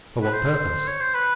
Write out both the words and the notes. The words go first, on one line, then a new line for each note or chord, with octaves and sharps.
"For what purpose?"
B4
C5
C#5
C5
B4